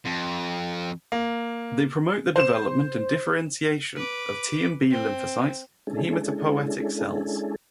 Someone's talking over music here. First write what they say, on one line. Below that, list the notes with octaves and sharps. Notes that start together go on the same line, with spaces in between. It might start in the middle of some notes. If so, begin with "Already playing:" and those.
They promote the development and differentiation of T and B lymphocytes, and hematopoietic cells.
F2
A#3
C5 E7
B4 D6
C4
G#3 C#4 D4 E4 G#4 A4